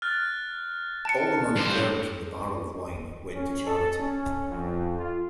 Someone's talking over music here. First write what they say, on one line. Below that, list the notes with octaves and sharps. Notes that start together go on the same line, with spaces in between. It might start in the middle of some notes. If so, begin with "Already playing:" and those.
All the money earned from the barrel of wine went to charity.
F6 F#6 A6
A5 A#6 C#7 D7
G2 C5
C#4
A4
C#4
F2
F4